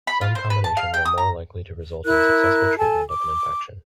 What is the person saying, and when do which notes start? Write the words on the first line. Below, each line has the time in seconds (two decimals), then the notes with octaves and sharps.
Some combinations are more likely to result in successful treatment of an infection.
0.07 B5
0.21 F4
0.35 C5
0.50 B4
0.64 A5
0.77 F5
0.94 G5
1.05 D#6
1.18 A#5
2.05 E4 A#4 F#6
2.78 A4 G#5 A5
3.09 D6